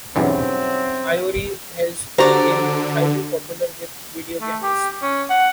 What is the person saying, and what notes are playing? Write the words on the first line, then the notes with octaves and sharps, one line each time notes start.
Iori has been highly popular with video gamers.
B1 E2 G2 F#3 C4 C#4 E4
D3 F#4 G4 C5 D5 A#5
A3
G4
C#4
F#5